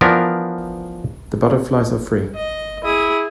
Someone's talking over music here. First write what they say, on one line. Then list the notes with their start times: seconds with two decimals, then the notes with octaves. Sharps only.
The butterflies are free.
0.01 E3 F3 B3 D4 A#4
2.36 D#5
2.84 E4 G#4 D#6